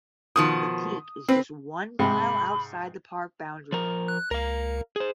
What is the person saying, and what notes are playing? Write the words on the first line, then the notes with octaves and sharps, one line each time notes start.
The peak is just one mile outside the park boundary.
B2 D#3 F3 D#6
C4 B4
G#2 C3 G4 B5
F3 A#4
F#6
C#2 A#4 F5
G#4 C5